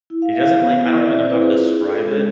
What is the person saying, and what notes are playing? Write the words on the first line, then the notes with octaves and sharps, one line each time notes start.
it doesn't like, I don't even know how to describe it,
E4
F5
E4 E5
F5
B3
E4
D5
C4 E5
C5
E4 B4
G#4
F4
G#4
D4
A4
G#3